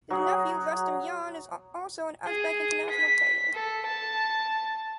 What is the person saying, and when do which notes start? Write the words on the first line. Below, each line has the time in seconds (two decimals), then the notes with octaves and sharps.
His nephew, Rustamjon, is also an Uzbek international player.
0.10 F#3 G#4
2.26 G#4
2.90 B6
3.54 A4
3.86 A5